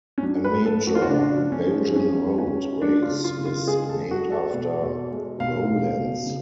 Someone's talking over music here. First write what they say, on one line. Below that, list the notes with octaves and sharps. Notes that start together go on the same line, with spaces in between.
A major Belgian road race is named after Roelants.
C#4
F#3 D4
B4
A2
A4
A2
F#4
F4
F#4
C#3 D4
F3
C#4
F3
G#3 C#4
G#3
C#4
G#3
F#3 D4
F4
C#3
F4
C#3
F4
G#3 G#4
A4
G#3
F#4
G#3
A4
B2
B2
G#3
B2 F5
B2
B2
C#3